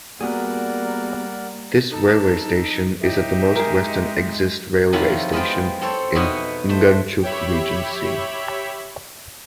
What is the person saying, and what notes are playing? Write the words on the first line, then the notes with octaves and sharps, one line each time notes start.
This railway station is at the most western exist railway station in Nganjuk Regency.
G3 A#3 B3 F#4 G#4 A#4 D5 F#5
D#4 A4
A2 D#4 G4 E5
G#3 G#4 A#4
C3 D#3 F3 F#3 E4 F4
G#3 B3 F4 C5 G5
C4 A4 C5 C#5
B2 B3 D#4 C#5 E5
A3 C5
G4 C#5 E5 B5